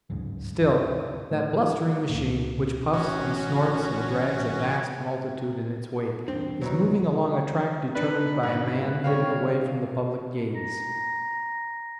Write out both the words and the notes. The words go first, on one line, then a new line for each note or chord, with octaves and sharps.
Still that blustering machine, which puffs and snorts, and drags a vast multitude in its wake, is moving along a track determined by a man hidden away from the public gaze.
D1 G1 C#2 G#2
A2
C#2 A#2
A1 C#4 F#4
E2 G2 C4 D4
B1 F2 D#3 E3 F#3 B3
D4 D#4 B4
G#2 C#3 B4
G3 C4 C#5 F5
A#5